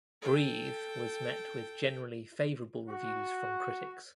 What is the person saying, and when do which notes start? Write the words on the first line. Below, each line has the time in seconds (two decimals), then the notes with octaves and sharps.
Breathe was met with generally favorable reviews from critics.
0.21 A4 G5
2.89 F#4